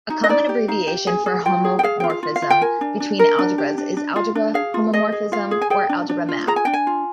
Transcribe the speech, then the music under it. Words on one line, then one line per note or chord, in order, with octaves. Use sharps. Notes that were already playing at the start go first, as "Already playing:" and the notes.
A common abbreviation for "homomorphism between algebras" is "algebra homomorphism" or "algebra map".
D#4
D#5
D#4 D5
G4
D#4 F5
G4
G#4 G#5
G#4
F4 G5
G#4
G5
G#4 F5
F4 G5
F5
F4
F5
F4
G5
A#4 G#5
D4
D4
A#4
D4
G4
D4
D4
F4 F5
D4
G#4 F5
F4
G#4 D#5
G#4
F4 F5
G#4
G#5
G#4 G5
D4
D4
F4
G#4 A#5
G#5
D4 G5
G#5
F4